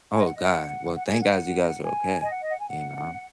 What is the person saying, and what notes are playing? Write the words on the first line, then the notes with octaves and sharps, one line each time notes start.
Oh, god. Well, thank gods you guys are okay, you know?
G#5
D#5
F#5
D#5
F#5
F#5
G#5
F#5
D#5
F#5
G#5
D#5
F#5
D#5
F#5
G#5
F#5